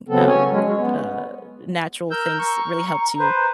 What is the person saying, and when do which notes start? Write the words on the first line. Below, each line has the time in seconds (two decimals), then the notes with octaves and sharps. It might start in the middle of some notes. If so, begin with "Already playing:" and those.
um, uh, natural things really helps you
0.09 C#3 F#3 B3 C4 A4
0.27 C#4 C#5 G#5
0.51 F#3 G#3 C#4
0.64 G#3
0.78 B3
2.11 A#4 E6 G6
2.39 A#5 C#6
3.19 B4 C5